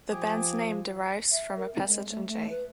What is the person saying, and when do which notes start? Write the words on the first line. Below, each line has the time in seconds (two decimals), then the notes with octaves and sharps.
The band's name derives from a passage in J.
0.11 F3 G4 G#4 G#5
1.32 E5
1.57 A#4
1.75 C4
1.88 G#3
2.10 A3
2.28 A3
2.50 B4